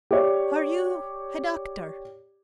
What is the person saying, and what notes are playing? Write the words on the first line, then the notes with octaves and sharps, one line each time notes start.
"Are you a doctor?"
G4 C#5 D5